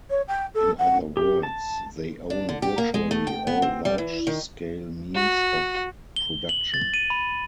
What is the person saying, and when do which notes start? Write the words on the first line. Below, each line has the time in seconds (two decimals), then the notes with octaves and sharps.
In other words, they own virtually all large-scale means of production.
0.10 C#5
0.28 G5
0.54 A4
0.78 F#5
1.17 G4
1.43 A5
2.30 D4
2.49 D3
2.62 G4
2.78 A#3
2.94 G#3
3.11 A3
3.27 G5
3.47 B3
3.62 C4
3.85 G3
3.98 E3
4.27 D#3
5.15 F#4
6.16 G7
6.49 F#7
6.74 A6
6.94 D#7
7.10 B5